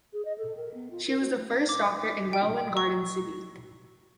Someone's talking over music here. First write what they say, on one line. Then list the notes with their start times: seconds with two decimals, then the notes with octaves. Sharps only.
She was the first doctor in Welwyn Garden City.
0.13 G#4
0.25 D#5
0.38 A4
0.57 A#4
0.74 B3
0.91 F4
1.08 A#4
1.20 F#4
1.34 A3
1.69 D6
2.33 G5
2.77 C#6